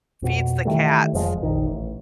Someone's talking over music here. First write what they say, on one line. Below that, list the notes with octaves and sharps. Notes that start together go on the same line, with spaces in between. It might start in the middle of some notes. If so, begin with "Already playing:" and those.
feeds the cats
F2 B2
D#3 E3 G3 A3
F1 F2 F3 G#3
F1 A#1 D#3
A1